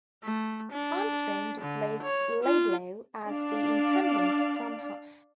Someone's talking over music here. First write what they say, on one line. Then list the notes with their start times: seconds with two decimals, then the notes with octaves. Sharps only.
Armstrong displaced Laidlaw as the incumbent scrum half.
0.23 A3
0.72 D4
1.61 D3
2.02 C#5
2.43 F4
3.26 D4 D5 F5